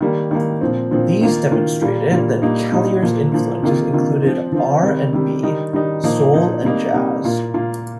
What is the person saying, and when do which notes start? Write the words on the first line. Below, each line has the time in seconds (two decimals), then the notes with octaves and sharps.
These demonstrated that Callier's influences included R and B, soul and jazz.
0.01 D#3 G3 A#3
0.31 D#3 G3 A#3
0.61 A#2 F3 C4
0.91 A#2 F3 C4
1.21 D#3 A#3 F4
1.52 D#3 A#3 F4
1.81 A#2 G3 A#3 F4
2.12 A#2 G3 A#3 F4
2.42 A#2 G3 A#3 D#4
2.72 A#2 G3 A#3 D#4
3.02 A#2 F3 A#3
3.32 A#2 F3 A#3
3.62 C3 D#3 A#3 F4
3.93 C3 D#3 A#3 F4
4.23 F3 C4 F4
4.52 F3 C4 F4
4.83 C3 D#3 G3
5.13 C3 D#3 G3
5.43 D#3 G3 D#4
5.73 D#3 G3 D#4
6.04 A#2 F3 A#3 D#4
6.34 A#2 F3 A#3 D#4
6.64 C3 G3 A#3 D#4
6.93 C3 G3 A#3 D#4
7.24 A#2 A#3 F4
7.54 A#2 A#3 F4